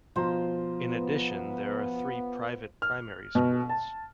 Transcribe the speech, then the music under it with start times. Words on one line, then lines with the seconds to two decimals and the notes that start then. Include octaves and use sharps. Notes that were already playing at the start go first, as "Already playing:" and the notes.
In addition there are three private primary schools.
0.16 B2 F3 F4 C5 A#5
0.91 B3
2.82 F6
3.35 B2
3.69 A5